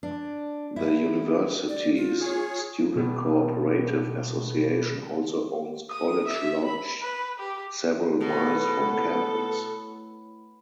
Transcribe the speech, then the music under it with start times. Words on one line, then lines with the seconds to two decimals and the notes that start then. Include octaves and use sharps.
The university's Student Cooperative Association also owns College Lodge several miles from campus.
0.03 D4
0.76 E4
1.69 D5
1.96 F4
2.20 G#4 C#5
2.96 B2 D3 E3 G3 A3 B3
5.91 D#6
6.27 E5
6.64 B5
7.02 B4
7.39 G4
8.21 B2 A3 B3 E4 A4 C#5